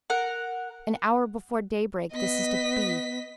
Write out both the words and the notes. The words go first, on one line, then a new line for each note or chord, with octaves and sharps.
An hour before daybreak this is to be.
A#4 F#5
B3 D#5 B6